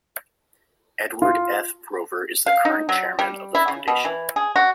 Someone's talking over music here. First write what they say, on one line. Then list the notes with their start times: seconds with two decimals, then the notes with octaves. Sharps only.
Edward F. Rover is the current chairman of the Foundation.
1.22 F4
2.46 F5
2.65 D#4
2.89 F#3
3.19 G3
3.55 E4
3.68 C#3
3.88 B2
4.05 E3
4.36 G#4
4.56 F#4